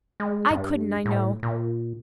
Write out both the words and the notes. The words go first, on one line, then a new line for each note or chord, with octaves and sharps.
I couldn't, I know.
G#3
G2
A2
A#2